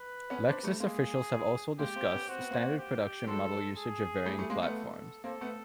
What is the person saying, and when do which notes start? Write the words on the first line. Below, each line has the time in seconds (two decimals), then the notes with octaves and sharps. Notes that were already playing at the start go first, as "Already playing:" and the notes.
Lexus officials have also discussed standard production model usage of varying platforms.
Already playing: B4
0.30 B3 C#4
0.48 C4 D4
0.63 G3 A3
0.80 G#3 A#3 G#4
1.79 G#3 A#3 G4
1.96 A#3 C4
2.11 B3 C#4
2.28 C4 F#4
2.40 B3
2.51 A#3 C4
2.78 G4
3.27 F#3 G#3 A4
3.77 G#4
4.26 G3 A3
4.38 G3 A3
4.50 G#3 A#3
4.62 A3 B3
4.75 A4
5.24 A#3 C4 A4
5.41 A3 B3